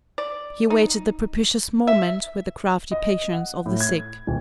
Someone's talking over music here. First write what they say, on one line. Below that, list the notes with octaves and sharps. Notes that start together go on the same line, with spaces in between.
He awaited the propitious moment with the crafty patience of the sick.
D5
D#4
E5
D#5
F#5
A2
G#6
D#1